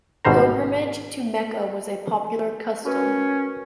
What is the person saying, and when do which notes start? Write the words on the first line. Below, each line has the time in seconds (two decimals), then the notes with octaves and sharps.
Pilgrimage to Mecca was a popular custom.
0.25 G#1 B2 G3 C5 A#5
2.85 C#4 F#4 A#4 B4